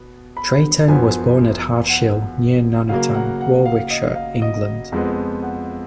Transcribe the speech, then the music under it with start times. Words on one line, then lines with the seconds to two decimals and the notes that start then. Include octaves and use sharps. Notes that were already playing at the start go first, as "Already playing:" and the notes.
Drayton was born at Hartshill, near Nuneaton, Warwickshire, England.
Already playing: B2 B3
0.37 B5
0.88 F#2 F3 B3 G#5
1.89 F#5
2.89 C#3 F#3 A#3 F5
3.14 F#5
3.41 F#5
3.66 F5
3.90 D#5
4.15 F5
4.42 D#5
4.92 F2 F3 G#3 B3
5.43 F#5